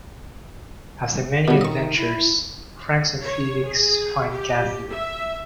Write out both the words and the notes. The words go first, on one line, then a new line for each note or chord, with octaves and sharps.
After many adventures, Franx and Felix find Kathy.
B2 G3 F#4
D#3 D#5 C#6
E4
C#5
G#4
G4
E5